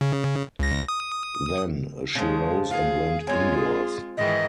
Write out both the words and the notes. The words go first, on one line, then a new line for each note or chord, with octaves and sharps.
Then she rose and went indoors.
C#3
C#2 A#6
D#6
C#3 F3 G#3
G#4 F5
G#3 C4 F4 C#5 G#5
G#4
G#2 D#3 E3 D#5